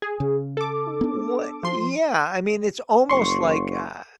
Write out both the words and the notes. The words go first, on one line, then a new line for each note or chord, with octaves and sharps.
What Yeah, I mean, it's almost like, uh
G#4
C#3
A4 D6
B3 D4
F3 C6
F#1 C6 C#6